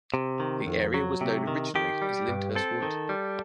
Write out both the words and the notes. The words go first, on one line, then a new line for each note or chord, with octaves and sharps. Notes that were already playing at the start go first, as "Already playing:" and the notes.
The area was known originally as Lyndhurst Wood.
C3
D#3
F2
F#3
C3
D#3
D#3 G4
G3
G2
C4 A4
D#3
G3